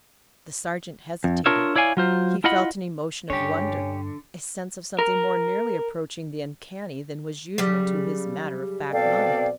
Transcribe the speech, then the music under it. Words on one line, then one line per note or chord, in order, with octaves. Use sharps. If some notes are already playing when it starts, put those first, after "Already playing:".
The sergeant hesitated; he felt an emotion of wonder--a sense of something more nearly approaching the uncanny than was usual to his matter-of-fact mind.
F2
D4 F4 A#4 C#5 E5
E4 C#5 D5 F5 G#5
F#3 F4 C5
E4 F4 D#5 F#5 B5
G2 D3 C#4 G4 C#5
A#4
C#3 F#3 G3
B2 C4 A4 D5 F5 G5